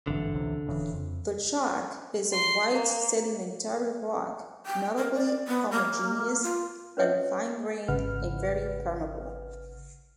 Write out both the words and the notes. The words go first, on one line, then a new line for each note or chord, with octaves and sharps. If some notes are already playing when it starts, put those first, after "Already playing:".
The chalk is a white sedimentary rock, notably homogeneous and fine-grained, and very permeable.
G#1 G2 D3 E3
C#2 C3 E3
D#1 C#3 E3
F2
C6
A#3
G5
A#4
D5
B3
A#3
F4
C#4 B4 C#5 D#5 E5 D#6
G#1 C#3 B4 F#5 F6